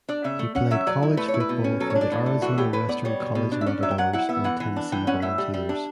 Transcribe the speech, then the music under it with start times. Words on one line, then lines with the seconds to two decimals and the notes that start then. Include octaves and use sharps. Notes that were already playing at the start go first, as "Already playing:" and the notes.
He played college football for the Arizona Western College Matadors and Tennessee Volunteers.
0.09 D4 D5
0.24 C#3 E5
0.39 A3
0.55 C#4 F#5
0.71 F#3 E5
0.87 F#3 D5
1.03 E4
1.17 A3 B4
1.28 C#5
1.34 E4
1.40 B4
1.49 B2
1.64 C#4
1.80 F#3 A4
1.90 C#5
1.95 D4
2.01 D5
2.12 A2
2.26 A3
2.42 E3 F#4
2.58 A2 G4
2.73 A2 B4
2.89 B3 D5
3.05 G3 C#5
3.20 B2
3.35 B2
3.52 D4
3.61 E5
3.66 C#4 D5
3.83 F#3 E5
3.91 G5
3.98 F#3 F#5
4.13 E4 F#5
4.29 B3 E5
4.44 E3 F#5
4.60 E3
4.76 D4
4.92 E3 G5
5.07 C#4 F#5
5.22 A2 E5
5.38 G3
5.54 G3
5.69 D4